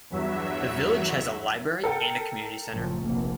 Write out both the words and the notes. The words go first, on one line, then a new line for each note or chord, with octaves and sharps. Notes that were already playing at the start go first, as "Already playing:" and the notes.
The village has a library and a community centre.
E2 G2 F#3 E5
A4 A#4 G5
F#1 A2 F3
F1 A#1 A#3